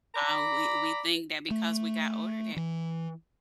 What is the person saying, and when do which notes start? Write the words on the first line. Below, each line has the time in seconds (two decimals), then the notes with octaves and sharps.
uh, we we think that because we got older that
0.14 D5 A#5 B5
1.51 A3
2.57 E3